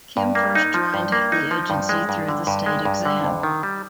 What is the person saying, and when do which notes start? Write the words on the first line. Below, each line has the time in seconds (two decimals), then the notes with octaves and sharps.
Kim first joined the agency through the state exam.
0.17 G2
0.35 A#3
0.55 D#4
0.74 F3
0.94 G2
1.12 A#3
1.32 D#4
1.51 F3
1.70 G2
1.89 G#3
2.09 G2
2.28 D3
2.47 G2
2.66 G#3
2.85 G2
3.05 D3
3.24 F2
3.43 D#3
3.63 G3